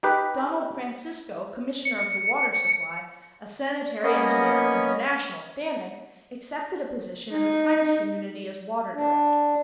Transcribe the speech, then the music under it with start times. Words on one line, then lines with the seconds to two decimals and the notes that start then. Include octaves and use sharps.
Donald Francisco, Commissioner of the Water Supply, a sanitary engineer of international standing, accepted a position in the Science Community as Water Director.
0.03 D#4 G4 B4
1.85 C#7
4.03 A#3 B3 C#4 C#5 D#5
7.33 D#4
8.94 D4